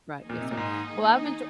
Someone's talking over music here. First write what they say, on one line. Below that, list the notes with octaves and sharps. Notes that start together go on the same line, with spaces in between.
Right, yes, sir, well, I've enjo
D#3 A#3 D#4 G#4
A#2
C3
A#2
G#2